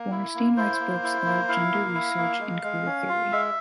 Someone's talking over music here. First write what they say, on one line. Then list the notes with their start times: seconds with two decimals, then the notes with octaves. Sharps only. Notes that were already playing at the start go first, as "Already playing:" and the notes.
Bornstein writes books about gender research and queer theory.
Already playing: A#3
0.11 E4
0.35 A#3
0.57 E4 C5
0.80 A#3
1.03 E4
1.26 A#3
1.48 E4 F5
1.72 A#3
1.95 E4
2.18 A#3
2.40 G#3
2.64 G#3
2.86 C#4
3.09 F4
3.32 G#3 E5